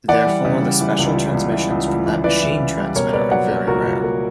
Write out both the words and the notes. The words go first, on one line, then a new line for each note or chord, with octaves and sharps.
Therefore the special transmissions from that machine transmitter are very rare.
E3 D5 F#5
G3
C#3
G3
E3
C#2
E3
C#2
E3
C#2
C#2
E3
E3 B4 D5
E3
C#3
G3
B2 A#4 C#5
A#3 B4 D5
F#3 D5 F#5
A#3
C#2 F#4 A#4
C#2
A#3